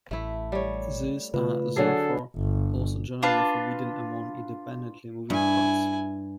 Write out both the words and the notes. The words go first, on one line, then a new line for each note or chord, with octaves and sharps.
These are therefore also generally forbidden among independently moving parts.
A1 A3 E4
G3 C#5
C#3 A3 F4 B4
D3 F#3 G#4 A4 C7
G1
D4 F4 B4 A5
G2 E4 G#5